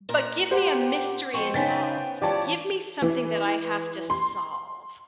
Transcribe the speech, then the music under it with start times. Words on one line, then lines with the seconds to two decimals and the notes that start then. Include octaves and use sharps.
But give me a mystery involved, give me something that I have to solve.
0.09 A#2 A#4
0.51 G4 C5 F#5
1.34 B2 F3 C4 C#6
1.54 C#3 B3 C#4 D#4 C5 G5 A6 B6
2.22 E3 F4 G4 C#5 D5 A5
3.02 E3
4.10 C6